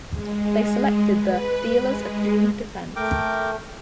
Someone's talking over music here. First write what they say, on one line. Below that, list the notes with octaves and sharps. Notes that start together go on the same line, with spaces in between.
They selected the "Dealers of Doom Defense".
G#3
B4
G#3
A3 A#4 G5 D6